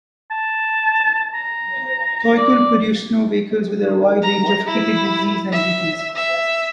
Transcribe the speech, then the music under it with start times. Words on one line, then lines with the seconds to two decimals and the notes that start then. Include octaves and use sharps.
Thiokol produced snow vehicles with a wide range of capabilities and duties.
0.31 A5
1.34 A#5
2.37 D5
4.23 A#5
4.67 E4
5.53 E5
6.16 E5